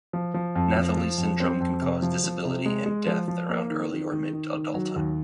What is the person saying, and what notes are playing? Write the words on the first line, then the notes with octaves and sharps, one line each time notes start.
Nathalie syndrome can cause disability and death around early or mid adulthood.
F3
F3
F2
F3
F3
F2
C4
F2
C3
F3
F3
C3
G#3
G#3
F3
F3
A#3
D#3
D#3
D#3
D#3
D#3
F#3
D#2